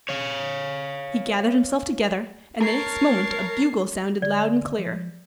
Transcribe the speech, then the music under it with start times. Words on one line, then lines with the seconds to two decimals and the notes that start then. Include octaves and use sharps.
He gathered himself together, and the next moment a bugle sounded loud and clear.
0.09 C#5 F5
2.62 A#4 C#5 A5 C7
4.22 D3 D5
4.78 F3